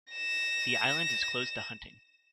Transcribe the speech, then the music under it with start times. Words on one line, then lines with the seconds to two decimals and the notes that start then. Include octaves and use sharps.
The island is closed to hunting.
0.14 A#6 E7